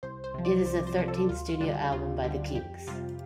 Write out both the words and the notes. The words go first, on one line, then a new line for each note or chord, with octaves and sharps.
It is the thirteenth studio album by The Kinks.
C2 C5
C5
C3 F3
D5
C2 C5
C5
C3 F3 C5
A4
D2 F4
F4
D3 G3 D4
D2 F4
D3 G3 G4
F2 G4
C3 G3 F4